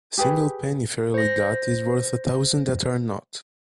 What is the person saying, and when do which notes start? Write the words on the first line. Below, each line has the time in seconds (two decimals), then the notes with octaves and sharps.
A single penny fairly got is worth a thousand that are not.
0.18 G4 G#4 B4
1.14 C5 A#6